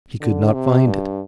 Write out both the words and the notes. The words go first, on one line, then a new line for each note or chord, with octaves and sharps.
He could not find it.
D3
C3
G2